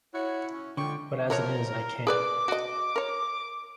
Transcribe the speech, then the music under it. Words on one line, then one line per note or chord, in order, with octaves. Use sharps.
But as it is I can’t.
E4 F#4 C#5
C#4
D3 D#3 G#3 F4 G5 C#6
F3 F#3 A#4 C#5
G#4 B4 D5 D6
F#4 D#5
A#4 C#5